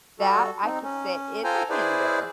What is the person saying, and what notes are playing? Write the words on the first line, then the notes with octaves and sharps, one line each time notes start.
that, I could say, is a hinder
G3 F#4 A4
C4 D#4
C#4
F4 A4 C5 G5 G#5 A#5
E4 G#4 B4 C5 D5